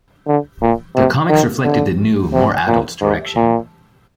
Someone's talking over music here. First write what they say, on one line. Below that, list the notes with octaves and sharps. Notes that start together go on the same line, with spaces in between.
Their comics reflected the new, more adult direction.
D3
A#2
C3
D#3
D3
C3
A#2
G#2
A#2